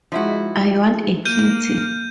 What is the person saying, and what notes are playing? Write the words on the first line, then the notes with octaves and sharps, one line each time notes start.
I want a kitty.
F3 G#3 D#4 E4 F#4
A#3 F6 G6 D#7